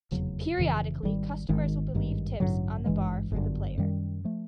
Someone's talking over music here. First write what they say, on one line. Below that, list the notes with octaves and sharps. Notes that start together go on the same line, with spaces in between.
Periodically, customers will leave tips on the bar for the player.
F1 E2 C#3 F#3
F1 F2 C#3 E3
G#1 G#2 D#3 G3
G#1 G#2 D#3 G#3
G#1 G2 D#3
A1 G2 D3 F#3
G#1 G2 E3 G#3
G1 F#2 D3
F#2 D#3 G3
F3 A3